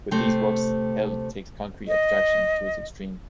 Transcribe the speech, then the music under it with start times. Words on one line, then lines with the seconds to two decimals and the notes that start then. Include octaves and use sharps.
With these works Held takes concrete abstraction to its extreme.
0.11 C3 A3 C5
1.88 D#5